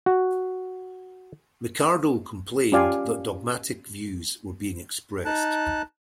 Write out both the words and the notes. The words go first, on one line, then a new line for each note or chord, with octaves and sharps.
Mikardo complained that dogmatic views were being expressed.
F#4
C#4 F4 G4 D5 F5 G#5
D#4 A5 F#6